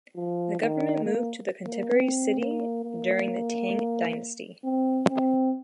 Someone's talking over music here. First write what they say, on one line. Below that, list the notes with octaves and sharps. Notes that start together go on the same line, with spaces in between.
The government moved to the contemporary city during the Tang dynasty.
F3
D#3
A#3
A#3
C4
A#3
A#3
C4
C4